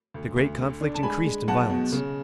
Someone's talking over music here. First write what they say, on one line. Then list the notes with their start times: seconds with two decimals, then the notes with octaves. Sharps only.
The great conflict increased in violence.
0.14 D2
0.36 D2
0.59 D3
0.81 D4
0.94 A5
1.03 G#3 G#5 B5
1.25 G#3
1.48 B1 F#5 A5
1.70 B2
1.92 C#3